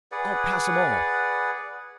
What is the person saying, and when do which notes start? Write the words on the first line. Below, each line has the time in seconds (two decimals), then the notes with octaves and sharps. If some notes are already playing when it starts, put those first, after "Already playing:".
"I'll pass 'em all!"
0.12 G#4 B4 D5 F#5